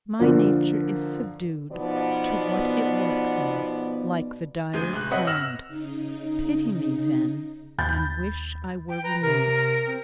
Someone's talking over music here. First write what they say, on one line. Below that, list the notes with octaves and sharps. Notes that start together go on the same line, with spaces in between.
"My nature is subdued To what it works in, like the dyer's hand: Pity me, then, and wish I were renewed!"
D3 F3 A#3
B2 F3 B3 D#4 D5
D2 G#3 G6 D#7
F1 F#6
C4 B4 C#5 D#5 E5 F#5
E6 F6 A#6 E7 F#7
C#3 D#4
D#2 B5 G6 A6
G5
B4 A#5
C3 A#4
C4